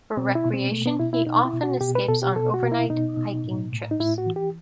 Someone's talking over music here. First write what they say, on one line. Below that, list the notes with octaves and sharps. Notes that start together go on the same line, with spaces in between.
For recreation he often escapes on overnight hiking trips.
B2 C4
E4
B2
C4
B2 A3
B3
B2 E4
E4
B2 D#4
E4
B2
F#4
B2 G4
B4
B2 A4
G4
B2 A4
F#4
B2
E4
B2 D#4
B2
A2
A2
D#4
A2 E4
F#4
E3
G4